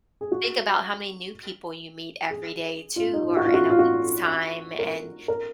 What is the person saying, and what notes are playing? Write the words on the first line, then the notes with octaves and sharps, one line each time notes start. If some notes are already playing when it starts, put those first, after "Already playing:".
think about how many new people you meet every day too or in a week's time and
G#4
F#4
G#4
F4
D#4
F4
F#4
F4
F#4
F4
F#4
A#4
A#4